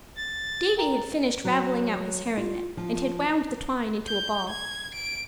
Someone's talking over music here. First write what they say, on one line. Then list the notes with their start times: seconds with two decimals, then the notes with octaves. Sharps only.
Davy had finished ravelling out his herring net and had wound the twine into a ball.
0.17 A6
0.76 A#4 G5 A#5
1.45 F#3
2.37 F4
2.77 F3
4.06 G6
4.50 G#6
4.94 D7